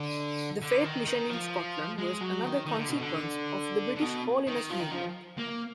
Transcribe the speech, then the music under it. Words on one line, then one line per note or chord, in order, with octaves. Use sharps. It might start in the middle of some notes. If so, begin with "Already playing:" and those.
The Faith Mission in Scotland was another consequence of the British Holiness movement.
Already playing: D3
D3
D#3
D#3
F3
G#3
F#3
D#3
D#3
D3
B2
D3
D3
B2
D#3
F3
D#3
F3
A#3